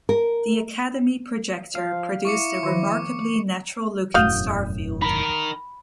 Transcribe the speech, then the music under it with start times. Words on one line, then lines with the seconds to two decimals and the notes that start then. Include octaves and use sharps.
The Academy Projector produced a remarkably natural-looking star field.
0.09 A#4
1.75 F3 F5
2.25 E4 C#6 D6 C#7
2.63 D#3 F3
4.14 E1 F#2 A2 F#4 F5 D#6 G6
5.01 D#4 A#4 B5